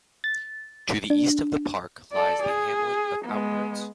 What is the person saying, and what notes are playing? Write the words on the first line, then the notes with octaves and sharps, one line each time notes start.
To the east of the park lies the hamlet of Outwoods.
A6
D4
A4 D5
G#4
G#3 B3